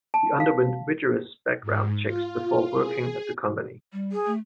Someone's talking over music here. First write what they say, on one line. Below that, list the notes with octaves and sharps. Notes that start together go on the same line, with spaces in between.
He underwent rigorous background checks before working at the company.
A5
F5
G#2
F4
G#4
G3
G#4
A3